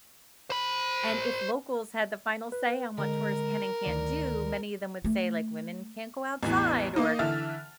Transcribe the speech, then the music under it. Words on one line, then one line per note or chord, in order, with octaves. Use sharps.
And if locals had the final say on what tourists can and can't do, many of them would say like, women can't go outside or
C5 B5
B4
D3 G#3 A#4
D2 D#3 D5
A3
A1 E2 E3
A#3 D#4
D3 E3 E5 F6 A6